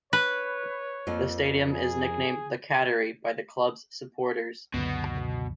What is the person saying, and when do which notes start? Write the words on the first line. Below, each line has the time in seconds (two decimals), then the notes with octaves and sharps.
The stadium is nicknamed "The Cattery" by the club's supporters.
0.13 B4 C#5
1.07 F2 F3 A#3
1.73 G#4
4.74 C#2 F#2 B2 D3